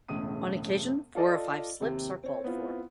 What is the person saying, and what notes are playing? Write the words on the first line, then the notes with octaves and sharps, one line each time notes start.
On occasion, four or five slips are called for.
E1 C#2 A2 D#6 D#7
F4 A4 D5 D#5
D#2 C3
C4 C#5
B3 C4 E4 F4